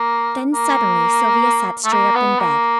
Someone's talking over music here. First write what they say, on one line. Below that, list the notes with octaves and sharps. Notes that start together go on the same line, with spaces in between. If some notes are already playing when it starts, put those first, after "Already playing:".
Then suddenly Sylvia sat straight up in bed.
Already playing: A#3
A#3
A3
A#3
B3
A#3